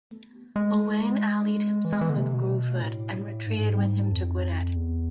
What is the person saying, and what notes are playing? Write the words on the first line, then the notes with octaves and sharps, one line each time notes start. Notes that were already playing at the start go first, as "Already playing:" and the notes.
Owain allied himself with Gruffudd, and retreated with him to Gwynedd.
G#3
E3
G#3
E3
D3
C3
B2
A2
G#2
F2
E2